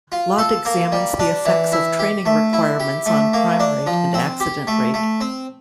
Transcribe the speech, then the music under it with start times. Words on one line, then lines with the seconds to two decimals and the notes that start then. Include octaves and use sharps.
Lott examines the effects of training requirements on crime rate and accident rate.
0.12 F4
0.38 A4
0.65 A#3
0.92 G3
1.19 D4
1.45 E3
1.72 E4
1.99 G4
2.26 A3
2.53 E4
2.80 G4
3.06 A3
3.33 A#3
3.60 D4
3.87 F3
4.14 C4
4.40 G4
4.67 A3
4.94 A3
5.21 C4